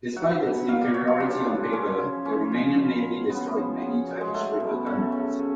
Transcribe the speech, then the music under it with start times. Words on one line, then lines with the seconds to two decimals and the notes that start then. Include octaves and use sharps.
Despite its inferiority on paper, the Romanian Navy destroyed many Turkish river gunboats.
0.16 F#3 F#5
0.42 B2
0.68 F#3 F5
0.81 D5
0.94 F#3 C#5
1.07 F4
1.20 C#3 D4
1.47 C#3
1.73 C#3 C#4
1.99 F3
2.25 C#3 C#4
2.52 F3
2.77 B2
3.04 B2
3.29 C#3 B3
3.56 F3
3.82 C#3
4.08 F#3
4.21 G#3
4.34 F#3 A3
4.60 B2
4.86 C#3 A3
5.12 C#3
5.39 C#3